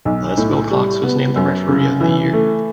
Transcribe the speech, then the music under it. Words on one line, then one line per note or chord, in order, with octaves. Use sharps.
Les Wilcox was named the Referee of the Year.
B1
A2
G3
B3
F#2
C#3
E3
A3